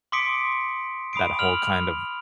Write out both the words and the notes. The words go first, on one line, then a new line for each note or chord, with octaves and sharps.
that whole kind of,
C6 D6 D#6 B6 C#7 D7
B5 D#6 C7 D7
F6 F7 F#7